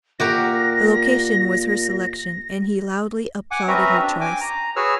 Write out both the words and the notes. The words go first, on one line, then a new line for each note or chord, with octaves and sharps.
The location was her selection and he loudly applauded her choice.
A#2 F#4 G4 A#4 A#6
F#5 G#5 D6
C4 C#4 F#4 B4 E5 A#5
D4
G5 G#5 D6
A#5
F#4 G#4 B4 C#5 E6 F6